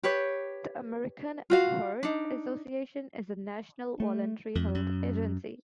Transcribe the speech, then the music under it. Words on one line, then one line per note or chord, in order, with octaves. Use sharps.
The American Heart Association is a national voluntary health agency.
G4 B4 C#5
F4 F#4 F5
D4 D#4
A3
F2
F#2